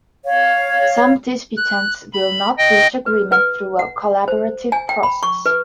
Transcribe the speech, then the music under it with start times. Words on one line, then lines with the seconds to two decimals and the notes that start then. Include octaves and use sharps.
Some disputants will not reach agreement through a collaborative process.
0.25 C#5 F5
1.57 F#6
2.13 B5
2.58 D#5 G5
3.06 B4
3.32 B4
3.79 F#5
4.28 C5
4.72 G#5
4.89 G5
5.03 B5
5.23 C#6
5.46 B4